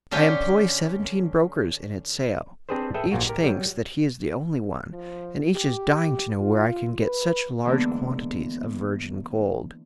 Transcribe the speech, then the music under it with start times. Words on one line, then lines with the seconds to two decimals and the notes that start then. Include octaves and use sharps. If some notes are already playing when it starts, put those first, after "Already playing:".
I employ seventeen brokers in its sale. Each thinks that he is the only one, and each is dying to know where I can get such large quantities of virgin gold.
0.11 D3 C#4 G4 G5 G#5
2.69 C4 D4 G4 G#4 B4 C5
2.94 G#4 A4 B4 E5 G5
3.12 A#1 A#2 F4 F#4
3.27 G4 A#4
3.43 F#3 G3
4.93 F3
5.56 G4
6.40 F4
7.02 B4
7.65 D3 E3 G#3 A#3 B3 D4